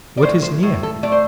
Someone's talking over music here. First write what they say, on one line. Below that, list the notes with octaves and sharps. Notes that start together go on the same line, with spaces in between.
What is near?
D5
A2 C5
C5
A2
A4
A3 D5
C5